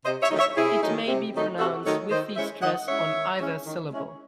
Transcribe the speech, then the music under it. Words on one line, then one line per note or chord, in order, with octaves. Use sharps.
It may be pronounced with the stress on either syllable.
C3 C5 D#5
C#5 E5
D#3 F#3 A3 D#4
C#5 E5
C3 E4 G#4
D#3 F#3 A3 D#4
C3
D#3 F#3 A3 D#4
C3 F#4 A4
D#3 F#3 A3 D#4 A4 C#5
D#3 C5 D#5
G#3 C#4 E4 C#5 E5
D#3 D#5 F#5
G#3 C#4 E4 C#5 E5
D#3
G#3 C#4 E4
D#3
G#3 C#4 E4